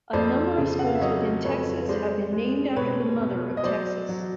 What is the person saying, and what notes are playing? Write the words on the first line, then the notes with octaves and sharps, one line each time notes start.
A number of schools within Texas have been named after the Mother of Texas.
F2 C5 D5
C#3
F#5
F5
E5
F#3 C#5 D#5
F2 B4 C#5
G#3 C5 D5
G#3
B2 B4 C#5
B2
D#5
F#3 C5 D5
F#3